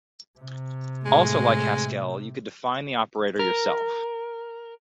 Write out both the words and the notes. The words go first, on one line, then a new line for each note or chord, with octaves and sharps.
Also like Haskell you could define the operator yourself.
C3
A2 G#3
A#4